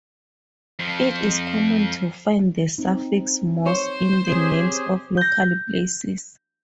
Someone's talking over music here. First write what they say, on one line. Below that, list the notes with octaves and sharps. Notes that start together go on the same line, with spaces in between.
It is common to find the suffix "Moss" in the names of local places.
F2 F3
C4 D#4
C5 C#5
C4 C#4 G4 G#4
G6 A#6